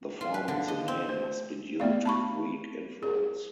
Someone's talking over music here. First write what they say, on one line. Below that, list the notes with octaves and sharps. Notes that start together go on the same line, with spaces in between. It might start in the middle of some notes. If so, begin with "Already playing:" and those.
The form of the name must be due to Greek influence.
F4
B4
D3
D#5
C4
C5
A3 B3 D5 F5
A5 B5 C#6
G#4